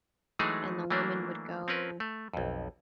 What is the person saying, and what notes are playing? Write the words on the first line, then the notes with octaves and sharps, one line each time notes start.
and the women would go,
E3 F#3 G#3 A3 D#4 G#4
E3 F#3 A3 A#3 D4
C4 C#4 A#4 B4
A3
B1 F2